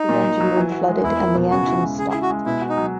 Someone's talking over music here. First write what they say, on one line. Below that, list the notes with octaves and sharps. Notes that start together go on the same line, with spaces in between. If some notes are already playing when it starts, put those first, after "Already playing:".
The engine room flooded and the engines stopped.
Already playing: D#4
A#2
A#2
F#3
E3
F#4
G#3
E2 E4
A#3
B2
C#3 F#4
E4
G#3
C#3 G#4
G#4
E4
F#4
G#3
B2 E4
F#4
D#4
F#3